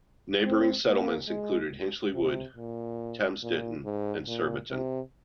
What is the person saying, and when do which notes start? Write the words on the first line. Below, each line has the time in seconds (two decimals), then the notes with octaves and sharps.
Neighbouring settlements include Hinchley Wood, Thames Ditton and Surbiton.
0.43 C4
0.86 A#3
1.28 G#3
2.14 C3
2.56 A#2
3.43 A#2
3.85 G#2
4.27 A#2
4.70 C3